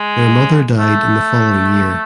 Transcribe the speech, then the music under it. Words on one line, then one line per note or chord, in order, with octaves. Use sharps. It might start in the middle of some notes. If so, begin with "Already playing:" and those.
Their mother died in the following year.
Already playing: G#3
A3